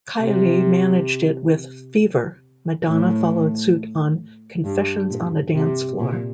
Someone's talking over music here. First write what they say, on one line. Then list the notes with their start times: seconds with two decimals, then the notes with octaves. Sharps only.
Kylie managed it with "Fever", Madonna followed suit on "Confessions on a Dance Floor".
0.19 C3
2.86 A2
4.65 G2
5.10 A#2
5.54 C3
5.99 A#2